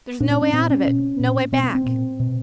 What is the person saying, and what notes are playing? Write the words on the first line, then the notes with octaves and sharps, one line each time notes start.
There's no way out of it, no way back.
A#2 D4
C#4
C#4
A#2 C4
C#4
B2
A#2
B2 C4
C4
C4
A#2
B2